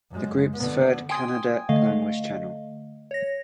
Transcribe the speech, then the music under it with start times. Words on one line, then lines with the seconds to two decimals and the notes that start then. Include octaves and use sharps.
The group's third Kannada-language channel.
0.11 F#2 G#3
0.53 D3 B3
1.10 G5 G#5 C6 D#6 G#6
1.69 D3 A3 D#5 F5
3.11 C#5 A#6